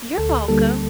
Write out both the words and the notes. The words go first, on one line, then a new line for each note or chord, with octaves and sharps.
You're welcome.
D2 A4
D3 G3 A#3 A4